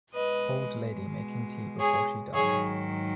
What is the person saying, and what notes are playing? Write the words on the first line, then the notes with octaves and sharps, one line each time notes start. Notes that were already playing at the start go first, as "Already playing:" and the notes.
Old lady making tea before she dies.
B2 G#3 B4 D#5
G#4 C#5
G#2 D#3 F#3 G#4 C#5